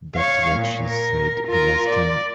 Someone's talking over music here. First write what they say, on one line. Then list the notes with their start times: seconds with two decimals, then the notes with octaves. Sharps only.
That's what she said the last time.
0.15 C#5 F5
0.55 A#2
0.88 A#4
1.47 F4 A#4
1.89 D5